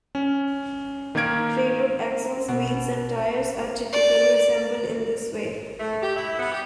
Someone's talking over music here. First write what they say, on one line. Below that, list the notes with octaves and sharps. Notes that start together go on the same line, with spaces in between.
Railroad axles, wheels, and tires are typically assembled in this way.
C#4
D#3 A#3 A#4 G#6 D7
B2
D5
A3
G4
E4
B3
G4